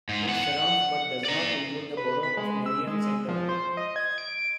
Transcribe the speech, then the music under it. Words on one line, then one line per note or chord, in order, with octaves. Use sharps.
It surrounds but does not include the borough of Marion Center.
G#2
E2 F#5
F#5
D5 A#5
B4
B5
G#3
E6
G#3
F3
C5
D#5
G#6
D7